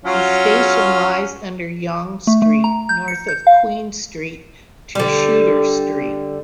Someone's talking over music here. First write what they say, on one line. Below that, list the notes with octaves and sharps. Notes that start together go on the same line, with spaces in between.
The station lies under Yonge Street north of Queen Street to Shuter Street.
F#3 C#4 F4
A3
A3
A#5
G6
C#7
G6
F5
D3 G3